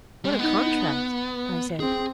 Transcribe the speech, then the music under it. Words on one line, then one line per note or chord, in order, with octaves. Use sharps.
"What a contrast!" I said.
G3
G#3
B3 D#4
C4 G#4